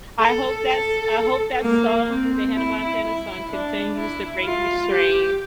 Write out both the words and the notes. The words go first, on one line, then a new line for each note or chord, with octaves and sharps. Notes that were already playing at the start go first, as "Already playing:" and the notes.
I hope that s I hope that song, the Hannah Montana song continues to bring you strength.
A4
A4
A#3
C4
E4
E4
D4
E4
F4
G4